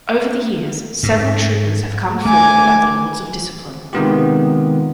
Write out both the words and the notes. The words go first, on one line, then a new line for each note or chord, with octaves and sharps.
Over the years, several troopers have come forward about the Lords of Discipline.
G#2
A3 G#5 D6
C3 D#3 G#3 B3 F4 G4